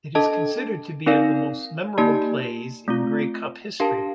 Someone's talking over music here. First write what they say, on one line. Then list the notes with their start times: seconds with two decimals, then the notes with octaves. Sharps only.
It is considered to be of the most memorable plays in Grey Cup history.
0.15 D4 A4 D#5 A5
1.06 C4 D#4 A#4 D5 F5
1.98 A#3 D#4 G4 D5 A5
2.88 A3 C4 F4
3.80 D4 G4 A#4 F5 A5